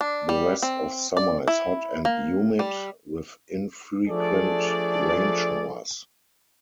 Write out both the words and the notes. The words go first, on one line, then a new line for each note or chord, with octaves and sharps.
The rest of summer is hot and humid, with infrequent rain showers.
D4
G3
C4
D5
E4
A#3
G3
F3 A3 D4 G#4 A4 D5